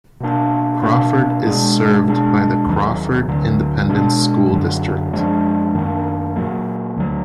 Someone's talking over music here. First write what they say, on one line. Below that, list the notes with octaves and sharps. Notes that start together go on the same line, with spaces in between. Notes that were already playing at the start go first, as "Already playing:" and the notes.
Crawford is served by the Crawford Independent School District.
B2 A#3 D4
B2 A#3 D4
B2 G#3 D4
B2 G#3 D4
D#2 D#3 F#3
D2 D3 F#3
B2 G#3 D4
F#2 D3 F#3
F#2 F3 G#3 D4
F#2 D#3 A#3 D4
A#2 F#3 A#3
D2 D3 F#3